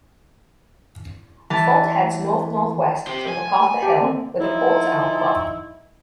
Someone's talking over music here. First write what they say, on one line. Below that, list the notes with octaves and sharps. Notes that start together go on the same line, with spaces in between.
A fault heads north-north-west from Macarthur Hill with a quartz outcrop.
E3 A5
G4 C5
G#5
G4 A5 D6
A#3 C4
F3 D#4 E4